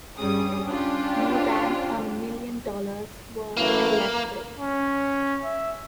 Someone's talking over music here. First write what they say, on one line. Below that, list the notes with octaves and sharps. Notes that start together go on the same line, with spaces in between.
More than a million dollars were collected.
G2 G3 C#4 G#4 D#6
C#4 D4 F4 G4
F#2 E3 A3 A#3
C#4
E5